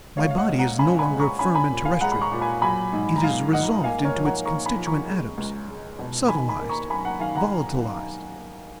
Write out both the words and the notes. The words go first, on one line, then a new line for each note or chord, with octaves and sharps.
My body is no longer firm and terrestrial; it is resolved into its constituent atoms, subtilised, volatilised.
C#2 C#5 F5
F5
D#5 F#5
C#2
F#5 A#5
C#4 G#5 B5
G#5 B5
G#3
A#5 C#6
C#4 G#5 B5
G#5 B5
A#2
F5 G#5
G#3 F#5 A#5
B5
A#5 C#6
A#2
G#5 B5
F#3 G#5 B5
G#2
A#5
G#2 F5 G#5
G#2 D#5 F#5
A#3 F5 G#5
A#4 C#5
F3
F#5 A#5
A#3 A#5 C#6
G#5 B5
F3
A#5 C#6
G#3
C#2
G#3
B2
D#3 G#5 B5
G#5 B5
A#3
A#5 C#6
F#2 G#5 B5
F#5 A#5
D#3 F5 G#5
F#5 A#5